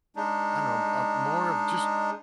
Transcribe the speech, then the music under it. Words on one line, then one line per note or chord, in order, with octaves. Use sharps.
I don't know uh, a more of just
G#3 D4 D#4